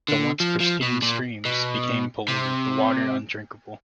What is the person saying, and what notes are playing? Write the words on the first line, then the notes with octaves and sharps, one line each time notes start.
The once pristine streams became polluted, the water undrinkable.
D3
F3
F3
B2
A#2
B2
C3